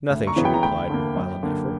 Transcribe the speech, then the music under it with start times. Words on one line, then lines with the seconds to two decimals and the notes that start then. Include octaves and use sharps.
"Nothing," she replied with a violent effort.
0.10 D2
0.27 A#5 C#6
0.36 C#3 E3 B3
0.44 G5 B5
0.54 A#5
0.63 D2 G5 B5
0.90 D3 A#3
1.16 F#2
1.43 D3 A#3